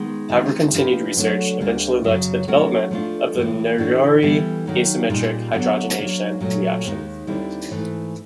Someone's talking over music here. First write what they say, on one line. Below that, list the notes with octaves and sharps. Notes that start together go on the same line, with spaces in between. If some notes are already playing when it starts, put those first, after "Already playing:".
However continued research eventually led to the development of the Noyori asymmetric hydrogenation reaction.
Already playing: D#3 G#3 B3
D#3 G#3 C4
F3 A#3 D4 G4 B4
D3 F#3 A3 D4
D2 D3 G3 A#3 D4
F#2 C#3 F#3
F#3 A3 C#4 F#4 A#4
F3 A3 D4 F4
A2 E3 G#3
A2 E3 A3 D4 F#4
E3 G3 B3 E4 A4
D#3 F#3 A#3 D#4
A#2 G3 A#3 D#4 G#4
D3 F#3 B3
F#3 A#3 D4
A#2 F#3 A3
D#2 D#3 G#3 B3 D#4
D#2 D3 G3 C4 E4
G#2 E3 A3